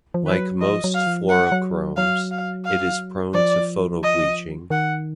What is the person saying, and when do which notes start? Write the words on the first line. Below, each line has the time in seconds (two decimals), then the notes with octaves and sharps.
Like most fluorochromes, it is prone to photobleaching.
0.14 F3
0.24 D#3
0.26 F3 B4
0.37 F#3
0.60 F3 D#5
0.84 F#3
0.94 F5
1.07 F3
1.29 F#3 F#5
1.52 F#3
1.97 F#3 F5
2.31 F5
2.65 F5
3.34 F3 D5
4.03 D#5
4.70 D#3 F#5